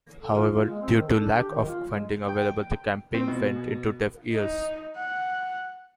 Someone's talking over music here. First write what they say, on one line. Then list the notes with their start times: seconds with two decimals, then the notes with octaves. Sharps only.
However, due to lack of funding available, the campaign went into deaf ears.
0.23 A4
0.36 F4
0.50 F4
0.68 G#3
0.82 C4
0.95 D#3
1.07 A4
1.20 D4
1.37 G4
1.51 D#3
1.68 F4
1.93 G#3
2.28 G5
3.14 C4
3.28 B2
4.32 D#4
4.96 F#5